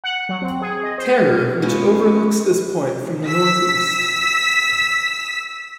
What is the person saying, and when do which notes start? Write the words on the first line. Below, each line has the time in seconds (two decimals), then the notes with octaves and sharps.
Terror which overlooks this point from the northeast.
0.04 F#5
0.29 F#3
0.42 C4
0.61 G#4
0.83 D#5
0.98 C5
1.62 G#3 B3 C#4 F4
3.29 E6 B6